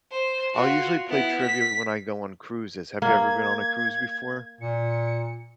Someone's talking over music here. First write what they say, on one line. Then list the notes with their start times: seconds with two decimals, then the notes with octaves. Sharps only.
I'll usually play trivia when I go on cruises, have you ever been on a cruise before?
0.11 C5
0.53 F4 F#4
1.08 B3 E4
1.41 B6
3.02 A#3 G#6
4.61 A#2 C#7